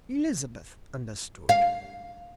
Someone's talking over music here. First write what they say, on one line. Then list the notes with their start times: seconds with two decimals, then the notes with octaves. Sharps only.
Elizabeth understood.
1.49 F5